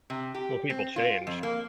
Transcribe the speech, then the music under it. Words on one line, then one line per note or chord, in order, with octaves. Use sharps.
Well, people change.
C3
G4
C4
F4
F2
A#3